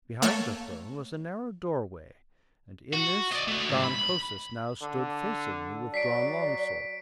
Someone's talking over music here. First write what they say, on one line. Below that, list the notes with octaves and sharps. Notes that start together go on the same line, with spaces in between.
Behind the throne was a narrow doorway and in this Than Kosis now stood facing me, with drawn long-sword.
A3 A#3 A4 C#5 F6
F#4
D5 D#5
A3 F#4
D2 G#2
B5
D3
F#3 D5 B6 C7 D7